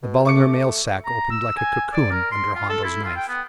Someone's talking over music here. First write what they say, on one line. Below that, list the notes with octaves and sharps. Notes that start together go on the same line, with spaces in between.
The Ballinger mail sack opened like a cocoon under Hondo's knife.
B2
A3 C#6 D6 C#7
A#5
E6
G#5
D5
A#4
C6
F4
A4
E4
F4
G5
B3